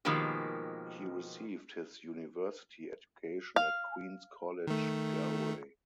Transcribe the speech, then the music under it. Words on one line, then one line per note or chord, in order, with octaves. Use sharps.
He received his university education at Queens College Galway.
B2 D#3 F3 G#3 A#3 G4
F5
D#3 A3